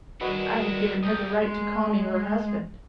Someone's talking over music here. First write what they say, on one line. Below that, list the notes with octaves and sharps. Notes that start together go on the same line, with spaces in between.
I had given her the right to call me her husband.
D#3 G3 G#3 E4 F#4 B4 D#5
C2 D#6 G6
G#3